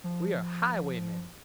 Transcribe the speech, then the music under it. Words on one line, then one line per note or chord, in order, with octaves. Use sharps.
We are highwaymen.
F3